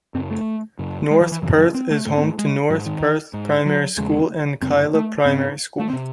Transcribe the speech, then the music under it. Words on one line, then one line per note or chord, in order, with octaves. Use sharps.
North Perth is home to North Perth Primary School and Kyilla Primary School.
F#2 C#3 C4
A3
F#2 C#3
G#3
E3
E3
F#2 C#3 E3
F#3
C4
A3
G#2 A3
C4
A3
G#3
G#2 F#3
D#3
G#2
F#3
E2 C#3 G#3
F#2 C#3 C4
A3
G#2 C4
A3
C4
C3